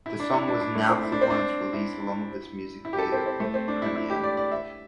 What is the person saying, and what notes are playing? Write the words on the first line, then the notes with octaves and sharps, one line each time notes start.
The song was announced upon its release along with its music video premiere.
E4
D4
E4
D4
D4
A3
C4
E4
D4
C4
D4
E4
E4
G4
A4
C4
C4
A3
C4
D4
E4
E4
G4
D5
D5
E5